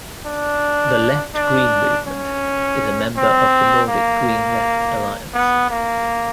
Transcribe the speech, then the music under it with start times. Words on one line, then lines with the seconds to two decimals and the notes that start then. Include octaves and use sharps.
The Left-Green Movement is a member of the Nordic Green Left Alliance.
0.26 D4
1.35 D4
2.07 C#4
3.17 C4
3.89 A#3
5.34 B3
5.70 A#3